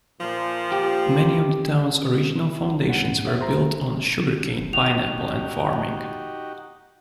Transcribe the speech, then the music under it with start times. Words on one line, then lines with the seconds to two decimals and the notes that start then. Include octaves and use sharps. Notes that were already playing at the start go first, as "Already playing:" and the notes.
Many of the town's original foundations were built on sugarcane, pineapple and farming.
0.20 A#2 F3
0.72 G4
2.86 C#2 C3 A#3 C#4 F#5
3.11 G#2
3.25 F#4 C#5 E5
3.41 C5 A#5
4.73 D#4 F#4 G4 F7